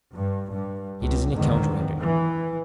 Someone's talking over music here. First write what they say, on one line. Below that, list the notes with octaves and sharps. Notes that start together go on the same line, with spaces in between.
It is an account rendered.
G2
G2
C#2
E2 G#2 D3 D#3
E3